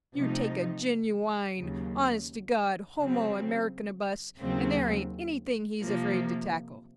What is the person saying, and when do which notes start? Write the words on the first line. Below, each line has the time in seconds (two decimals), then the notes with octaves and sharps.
You take a genuwine, honest-to-God homo Americanibus and there ain't anything he's afraid to tackle.
0.15 C3 F3 A3 D#4
1.58 D#2 C#3 F#3
3.00 C#3 F#3 C4
4.41 D#2 C#3 F#3 C4
5.83 C3 F3 A#3